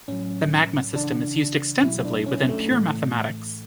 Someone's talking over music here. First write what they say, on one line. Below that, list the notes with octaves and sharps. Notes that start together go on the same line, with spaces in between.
The Magma system is used extensively within pure mathematics.
A2 F#3 C#4
C#3 E3 D4
B2 F#3 E4
D4
C#4
A3
A2 E3